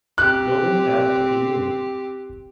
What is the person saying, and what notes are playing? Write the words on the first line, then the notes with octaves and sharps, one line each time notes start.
Building at Picayune.
C4 G4 F#6